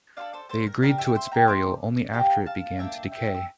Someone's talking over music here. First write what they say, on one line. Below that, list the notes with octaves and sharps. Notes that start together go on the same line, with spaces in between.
They agreed to its burial only after it began to decay.
D4 F4 A4 D5 F5
A4 C5
A4 C5
A#4
D4 G4 A#4
E5 G5
C5 E5
G5 A#5
A3 C4 D6
A#3 E4 G4 G5 A#5
F5 A5
A#3 D4 A4 E5 G5
E5 G5
E6